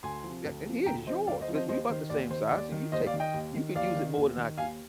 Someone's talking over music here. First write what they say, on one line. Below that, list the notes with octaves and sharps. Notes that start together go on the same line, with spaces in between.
a and, "Here's yours 'cause we about the same size, so you take it. You can use it more than I could."
D2 G#5 C6
C3 F3
D2
C3 F3
D2 G5 A#5
C3 F3 C5 D#5
D2 D5 F5
C5 D#5
C3 F3
C5 D#5
D#2 C5 D#5
D#3 C5
D#2 D5
D#3 C5
D#2 D5
D#3
D#2 C5 D#5
D5 F5
D#3
D#5 G5
D#2
D#3
D#2 D5 F5
D#3
D#2
D#3
D#2 F5 G#5